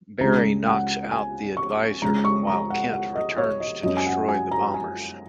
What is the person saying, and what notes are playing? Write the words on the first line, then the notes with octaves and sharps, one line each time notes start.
Barry knocks out the Advisor while Kent returns to destroy the bombers.
C#2 C#3 G#3 A#5
F#5
G#5
C#6
C#2 C#3 G#3 A#5
C#6
A#5
F#5
F#5
D#5
C#5
D#5
F#2 F#3 D#5
G#5
F#5
G#5
A#5
G#5